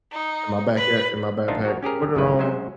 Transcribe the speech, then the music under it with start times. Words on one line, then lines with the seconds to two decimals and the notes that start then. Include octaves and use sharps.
in my back a in my backpack, put it on,
0.12 D#4
0.77 B4
1.48 A#1 A#2 D4 D#4 F4 E5
1.65 F#4 G#4 A#4 C#5
1.83 C#4 G4 G#4 A#4
2.15 A1 F#2 D#3 G3 E4 B4
2.39 F#3 G#3 C#4 C5 E5